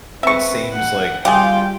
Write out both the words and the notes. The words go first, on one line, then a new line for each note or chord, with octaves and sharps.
it seems like
C4 B4 E5 C#6
F#5
G3 F4 G4 G#4 G5